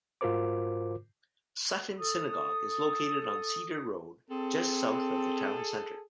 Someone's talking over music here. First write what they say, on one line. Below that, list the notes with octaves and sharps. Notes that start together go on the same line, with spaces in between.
Sutton Synagogue is located on Cedar Road, just south of the town centre.
G#2 F4 F#4 A#4 C5 D6
A4 D#6
C4 G#4 A4